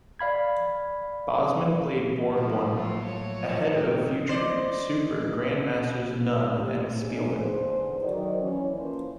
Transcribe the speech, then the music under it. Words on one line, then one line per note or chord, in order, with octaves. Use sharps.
Basman played Board One, ahead of future super Grandmasters Nunn and Speelman.
D5 F5 B5 G#6
A2 D#3 F3 F#3
F3 A3 A#3 F4
C#5
F3
G#2 C#3 D#4 G5
C5 D5 D#5
G2 C3
D2 D3 C#4 D#4 G#4
E2 D3 G#4 C5
D#3 F#3 D5
E3 C#4
E3 F3 A#3 C#4 C5